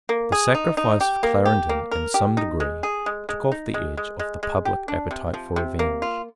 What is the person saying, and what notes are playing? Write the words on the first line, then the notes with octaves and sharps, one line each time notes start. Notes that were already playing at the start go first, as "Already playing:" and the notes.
The sacrifice of Clarendon in some degree took off the edge of the public appetite for revenge.
A#3
G#4
D#4
D#4
G4
A#3
G4
A#3
A#4
G4
D#4
G#3
G#4
G#3
G#3
D#4
G#3
G#3
G#3
G#3
G4
D4
C3
F3
C3
A#3
F4